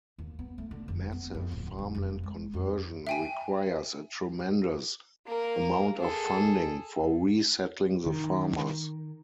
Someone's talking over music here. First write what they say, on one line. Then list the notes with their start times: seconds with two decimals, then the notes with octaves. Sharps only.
Massive farmland conversion requires a tremendous amount of funding for resettling the farmers.
0.19 D#2
0.39 B3
0.58 A3
0.71 D3
0.88 F1
1.12 B3
1.34 F2
1.51 D1
1.79 F#2
1.95 F1
2.23 G#3
2.54 F2
3.07 E5 G5 G#5
5.27 A#3 A#4
5.98 G#4 A4
8.06 D#3